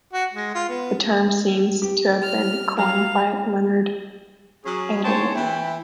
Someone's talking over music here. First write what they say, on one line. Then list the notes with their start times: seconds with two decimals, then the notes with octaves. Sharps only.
The term seems to have been coined by Leonard Adleman.
0.13 F#4
0.33 G#3
0.55 F4
0.69 B3
1.82 G4
2.22 F6
2.79 F#3 F5 F7
4.65 F#3 C#4 G#4
5.04 G#4 C5 C#5 G5 A5
5.35 E3 E4 G5